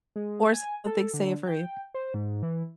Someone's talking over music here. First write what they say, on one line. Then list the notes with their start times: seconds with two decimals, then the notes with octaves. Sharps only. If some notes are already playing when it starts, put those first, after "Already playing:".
or something savory.
0.16 G#3
0.52 G#5
0.86 A4
1.14 D3
1.47 G5
1.94 C5
2.14 G#2
2.43 E3